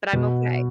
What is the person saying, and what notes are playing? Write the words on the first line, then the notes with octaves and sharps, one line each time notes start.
but I'm okay."
B2 B3